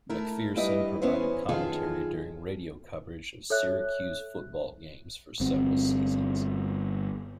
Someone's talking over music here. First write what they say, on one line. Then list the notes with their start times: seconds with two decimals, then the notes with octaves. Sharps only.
MacPherson provided commentary during radio coverage of Syracuse football games for several seasons.
0.10 A3 E4 A#4
0.56 G2 G3 E4 B4 D#5
1.02 E3 B3 C#4 E4 C5
1.49 F#2 D#3 F4 G#4 A4
3.50 A4 C#5 E5 F#6
5.40 G1 C4